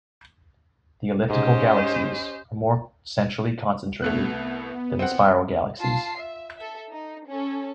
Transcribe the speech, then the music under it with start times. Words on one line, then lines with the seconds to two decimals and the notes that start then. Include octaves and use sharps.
The elliptical galaxies are more centrally concentrated than the spiral galaxies.
1.30 G#2 C#4 G4 C5 D#5
4.02 C2 A3 B3 F#6
4.99 C4 F#5
5.79 F4 A5 C7
6.16 E5
6.57 A4 E5
6.90 D#4
7.27 C#4 A4